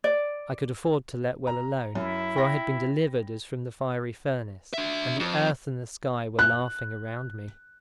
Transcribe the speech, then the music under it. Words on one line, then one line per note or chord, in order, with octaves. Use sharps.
I could afford to let well alone, for I had been delivered as from the fiery furnace, and the earth and the sky were laughing around me.
D5
A#5
F#2 E4
G5 B5 A#6
D4 E5
F2
F#6